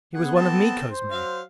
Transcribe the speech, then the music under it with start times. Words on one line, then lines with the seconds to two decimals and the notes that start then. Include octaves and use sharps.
He was one of Miko's men.
0.14 B3 G#4 F#5
0.35 C4 A4 A5
0.87 C5
1.11 F#3 F5